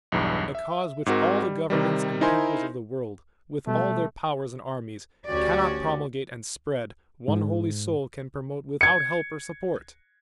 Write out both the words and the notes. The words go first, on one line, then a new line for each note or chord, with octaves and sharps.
A Cause which all the governments and peoples of the world, with all their powers and armies, cannot promulgate and spread, one Holy Soul can promote without help or support!
B1 E2 G2
E5
G#2 C4 F#4 A#4
G3
C3 D#3 G3
D#4 E4 A#4 C5 G#5 C6
B2 G3 A3
D2 C#4 F#4 G4 D5
G#2
G#6 C#7